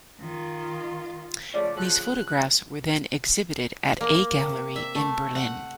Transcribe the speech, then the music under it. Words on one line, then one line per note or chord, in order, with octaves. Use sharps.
These photographs were then exhibited at a gallery in Berlin.
D#3 F4
C#3 F3 A3 D5
F3 G4 A4 F#6
A#3
C3
E5
A3
F#5